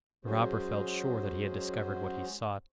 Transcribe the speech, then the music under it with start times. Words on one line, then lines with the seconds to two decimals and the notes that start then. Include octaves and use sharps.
The robber felt sure that he had discovered what he sought.
0.25 F#3 G#3 C#4 F#4 G#4 C5